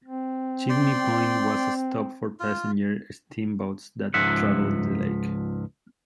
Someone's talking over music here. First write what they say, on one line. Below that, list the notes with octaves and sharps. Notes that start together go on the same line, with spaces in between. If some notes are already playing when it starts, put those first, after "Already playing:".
Chimney Point was a stop for passenger steamboats that traveled the lake.
C4
D5 G5 C6
F4
C#2 G#2 F3 E5 F#5